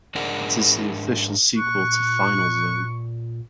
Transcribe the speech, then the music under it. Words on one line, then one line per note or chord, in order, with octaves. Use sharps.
It is the official sequel to "Final Zone".
G#2 D4 G#4 A#4 D5 F#5
A#2 C#6 F#6